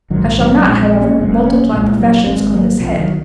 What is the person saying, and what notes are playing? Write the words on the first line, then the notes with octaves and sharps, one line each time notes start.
I shall not, however, multiply professions on this head.
A#1 G#2 D#3 F#3
D#3 F#3
F#3 A#3
A#1 A#2 G#3 C4
G#3 C4
A#3 C#4
F#1 F#2 C#3 G#3 C4
A#3 C#4
C2 A#2 G#3 C4
F#3 A#3
G#1 G#2 G#3 C4
F#3 A#3
C2 C3 F3
D#3 F#3